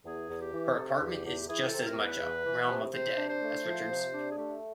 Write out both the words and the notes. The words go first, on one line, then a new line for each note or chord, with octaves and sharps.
Her apartment is just as much a "realm of the dead" as Richard's.
E2 G#4
E2
G4
E3
C3 A4
E2 G4
E2 G4
E3 G#4
A4
C3
A#4
E2
B4
E2
E3
C3
C3 C5
D4
C5
A3
F3
C3
D4
G#4
A3 G4